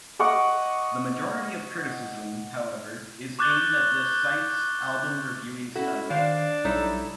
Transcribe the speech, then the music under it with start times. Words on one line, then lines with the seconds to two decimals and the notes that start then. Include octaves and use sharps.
The majority of criticism, however, is aimed at the site's album reviewing style.
0.19 D#5 F#5 C#6 D6
3.39 C#6 D6 F#6 G6 A6 G7
5.76 C#4 E4 F#4 A4
6.10 D#3 D4 C5 F5
6.64 B1 G3 D#4 E4 A4 C#5